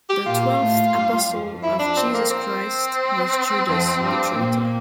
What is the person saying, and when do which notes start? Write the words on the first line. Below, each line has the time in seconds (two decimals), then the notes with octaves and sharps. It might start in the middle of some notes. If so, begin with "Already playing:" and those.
The "twelfth apostle" of Jesus Christ was Judas, the traitor.
0.09 G4
0.26 A#2 A#3 F4
0.60 A2 A3
0.94 G2 G3
1.28 F2 F3
1.63 E4
1.79 D4
1.97 C4
2.14 A#3
2.30 C4
3.67 F2 F3
4.01 G2 G3
4.36 A#2 A#3